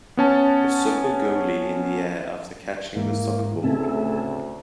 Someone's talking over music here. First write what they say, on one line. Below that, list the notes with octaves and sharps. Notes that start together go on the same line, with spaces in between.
A soccer goalie in the air after catching the soccer ball.
B3 C#4 A5
G#2 E3 A#3
D2 A2 C#3 C4 G#4 A4 E5